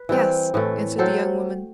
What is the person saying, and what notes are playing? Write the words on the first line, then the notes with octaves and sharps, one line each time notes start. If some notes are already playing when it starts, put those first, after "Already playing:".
"Yes," answered the young woman.
Already playing: B4
E3 G3 C4
A2 E3 A3
F#3 C4 A4 C5